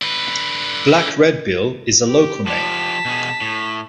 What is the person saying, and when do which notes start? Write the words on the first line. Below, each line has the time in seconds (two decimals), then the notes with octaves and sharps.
Black redbill is a local name.
0.02 D3 B4
2.07 G4
2.47 F3 G4 A5 B6
3.05 B2 G#4
3.41 A2